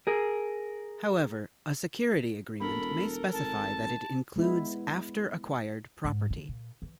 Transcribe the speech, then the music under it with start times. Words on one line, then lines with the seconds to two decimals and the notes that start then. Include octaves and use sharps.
However, a security agreement may specify that it includes after-acquired property.
0.07 G#4 A#4
2.60 E1 A4 A#4 B5
3.33 G#1 A5
4.36 G#3 B3 E4
6.05 G#2
6.30 D3
6.49 A#2
6.82 E3